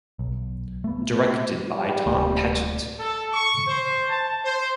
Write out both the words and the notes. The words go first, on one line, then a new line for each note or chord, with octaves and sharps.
Directed by Tom Patchett.
B1
A3 B3
G3
D1 A3 A#3
A4
C#6
C5
A5
C5